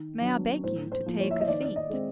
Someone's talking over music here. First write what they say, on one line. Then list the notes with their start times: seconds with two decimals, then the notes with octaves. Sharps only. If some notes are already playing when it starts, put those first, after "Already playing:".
May I beg you to take a seat?'
Already playing: D#3
0.21 F#3 B3 D4
0.63 A2 C5
0.92 C5
1.06 F3 A#3
1.20 C#5
1.31 E5
1.40 D#5
1.48 D#3 D5
1.65 D5
1.76 D#5
1.90 G#3 C4